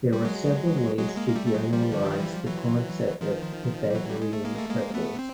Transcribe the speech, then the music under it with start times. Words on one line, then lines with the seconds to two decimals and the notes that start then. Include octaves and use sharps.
There are several ways to generalize the concept of Pythagorean triples.
0.13 G3
0.24 F#3 G#3
0.98 F#3 G#3
1.16 G#3 A#3
1.28 A#3
1.36 G3 A3
1.46 A3
1.54 F#3 G#3
1.73 F3 G3
1.92 D3
2.06 D#3
2.19 E3
2.34 F3
2.47 E3 F#3
3.21 D#3 F3
3.90 G3
3.95 E3 F#3
4.09 G3
4.22 G#3
4.33 A3
4.45 G#3 A#3
4.59 A3
4.69 G#3 A#3
4.94 A3 B3
5.19 C4